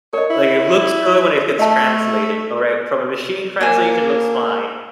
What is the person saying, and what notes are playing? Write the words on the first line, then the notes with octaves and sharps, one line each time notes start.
like, it looks good when it gets translated, alright, from a machine translation looks fine.
A#4 C#5 D#5
E4
A3 D#5 E5 A5
A#3 D4 G#5